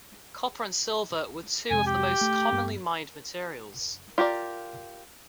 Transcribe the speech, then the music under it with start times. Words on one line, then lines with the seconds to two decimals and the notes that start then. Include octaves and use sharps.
Copper and silver were two of the most commonly mined materials.
1.70 F2 C3 G#3 G#5
1.86 G4
2.21 A3
2.51 G2 B3
4.18 F4 G4 A#4 D5